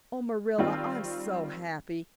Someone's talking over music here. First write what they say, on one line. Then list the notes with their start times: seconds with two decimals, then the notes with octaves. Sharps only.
Oh, Marilla, I'm so happy.
0.58 D#3 G3 C4 F4